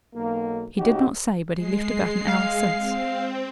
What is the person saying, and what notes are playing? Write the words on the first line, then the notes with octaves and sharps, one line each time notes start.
"He did not say, but he left about an hour since."
B1 A#3
C#3 D#4 F#4 G4
G#3 C7
F5
C4